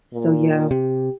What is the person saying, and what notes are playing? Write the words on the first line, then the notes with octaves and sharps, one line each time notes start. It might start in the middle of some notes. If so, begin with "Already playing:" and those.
so yeah.
A#2
C3 G4